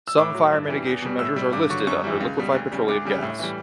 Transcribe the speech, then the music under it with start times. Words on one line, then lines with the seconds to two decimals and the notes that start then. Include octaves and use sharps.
Some fire mitigation measures are listed under liquefied petroleum gas.
0.08 E6
0.18 A2 D6
0.35 F#3
0.52 G2
0.68 E3 G3
0.85 E2
1.02 B2 G3
1.19 A2 E6
1.36 G3
1.53 G2 D6
1.70 D3 F#3 C#6
1.87 F#2 C#6
2.04 E3 G3
2.20 C#2
2.38 B2 G3
2.55 D2
2.72 C#3 G3
2.88 D2 D6
3.05 C#3 G3
3.22 A2
3.39 E3 G3